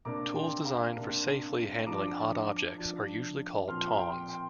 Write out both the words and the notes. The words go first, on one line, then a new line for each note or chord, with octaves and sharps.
Tools designed for safely handling hot objects are usually called tongs.
C3 A#3 D4 A#5 D6
G5 C6
F5 A#5
C3 A#3 D4
F3 D4 A#5 D6
F3 D4
A#2 F3 C4 C6 F6
G5 C6
G5 C6